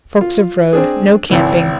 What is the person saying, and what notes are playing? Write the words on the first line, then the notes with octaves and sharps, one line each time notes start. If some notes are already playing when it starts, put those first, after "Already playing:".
Forks of Road.--No camping.
F4
C4 D4 G#4
G#1 C#2 E3